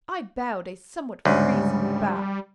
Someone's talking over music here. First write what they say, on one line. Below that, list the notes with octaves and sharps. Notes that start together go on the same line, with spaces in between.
I bowed a somewhat, freezing bow.
D2 G#2 C#3 G3